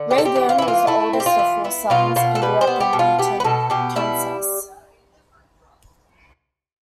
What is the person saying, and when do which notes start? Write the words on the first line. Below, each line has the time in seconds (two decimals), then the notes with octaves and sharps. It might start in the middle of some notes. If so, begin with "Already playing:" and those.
Rayburn was the oldest of four sons, and grew up in Newton, Kansas.
Already playing: D3
0.10 C4 G4
0.18 A4
0.25 G4
0.36 E3
0.49 F4
0.58 E3 E4
0.68 F4
0.87 A3 E4
1.13 C4
1.20 G4
1.26 F4
1.39 E3
1.64 B3 E4
1.90 B2 F4
2.16 B2 F4
2.35 A4
2.42 G3 B4
2.61 C5
2.67 B3
2.80 G4
2.93 B2
2.99 F4
3.18 B3 G4
3.40 B4
3.44 B2 A4
3.70 B2 G4
3.96 G3 E4